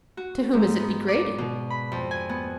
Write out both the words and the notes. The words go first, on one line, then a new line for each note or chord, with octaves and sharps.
"To whom is it degrading?"
F#4
G#2
B3
D5
B2
B5
F2
G#5
B3